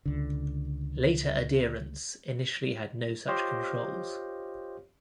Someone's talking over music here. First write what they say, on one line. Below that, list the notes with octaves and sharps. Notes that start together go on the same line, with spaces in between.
Later adherents initially had no such controls.
C#2 D3
F4 G4 C5 C#5 D#5 F5